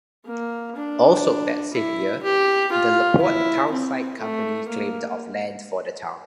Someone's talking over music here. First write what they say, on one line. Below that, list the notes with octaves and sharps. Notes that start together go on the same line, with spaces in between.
Also that same year, the Laporte Townsite Company claimed of land for the town.
A#3
D4
E4
G4
F4
E4
C4
A3
A#3